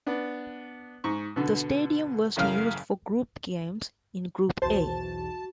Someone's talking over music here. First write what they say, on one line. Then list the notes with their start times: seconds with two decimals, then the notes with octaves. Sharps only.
The stadium was used for group games in Group A.
0.07 B3 D4
1.04 G#2 C#6
1.36 B2 D3
2.36 A1 F#2 C#3 A#4 F5 F6
4.62 B1 E2 F#4 C5 A5